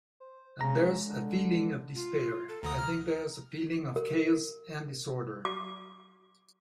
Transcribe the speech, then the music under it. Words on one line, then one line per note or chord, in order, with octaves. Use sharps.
And there's a feeling of despair...I think there's a feeling of chaos and disorder.
C5
C#3 G#3 A#5
D3
F4
A4
D2 D3 A#5 D#6
F6
A#4
D6